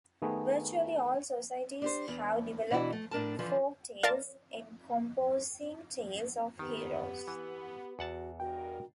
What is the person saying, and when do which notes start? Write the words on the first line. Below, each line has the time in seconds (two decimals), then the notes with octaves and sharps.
Virtually all societies have developed folk tales encompassing tales of heroes.
0.22 D#3 A3 B3 D#4 G#4
1.82 D4 G4 C5
2.08 E2
2.70 B2 E3 D4 E4 F#4
2.92 A3
3.11 A2 D4 A#4 A5
3.39 D3 E3 F3
4.03 F4 A#4 D5 A5
6.59 D#3 B3 G4
7.28 E3
7.99 E2 F#4 F#5 A5
8.40 G2 B2 F#4 A#4 G5